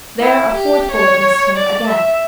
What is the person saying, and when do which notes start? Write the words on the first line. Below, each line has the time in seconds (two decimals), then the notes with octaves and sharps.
There a fourth bullet missed him, again.
0.19 E4
0.55 G4
0.92 C#5
1.57 D5
1.87 E5